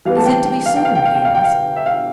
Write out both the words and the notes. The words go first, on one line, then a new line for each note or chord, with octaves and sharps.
"Is it to be soon?" he asked.
E3 G3 B3 F5
A5
G5
G5
F5
G5
F5
G5
F5
G5
F5
G5
F5
E5
F5